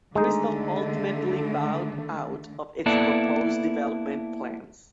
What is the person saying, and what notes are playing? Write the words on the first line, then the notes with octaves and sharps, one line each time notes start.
Crystal ultimately bowed out of its proposed development plans.
D3 D#3 G#3 A3 D#4
A#3 B3 E4 A4 D5